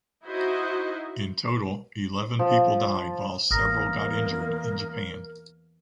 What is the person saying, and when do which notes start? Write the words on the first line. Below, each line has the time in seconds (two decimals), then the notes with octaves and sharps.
In total, eleven people died while several got injured in Japan.
0.24 D#4 E4 F#4 C5 D#5
2.39 F3
3.51 G#1 E2 A#3 A#4 A#5 D#6 F6 A#6